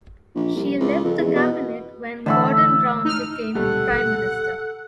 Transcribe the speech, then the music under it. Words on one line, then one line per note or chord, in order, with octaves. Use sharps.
She left the Cabinet when Gordon Brown became Prime Minister.
A#1
C2
C#2
F2
E2
B2
A2 D3 E3 A5 B5 E6
D#4 F6
D1 A#1 B2 G3 A3 A4 F#5